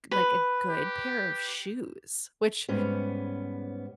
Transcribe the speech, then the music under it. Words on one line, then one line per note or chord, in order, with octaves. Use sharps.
like, a good pair of shoes, which
B4
G4
G#2 G3 B3 C#4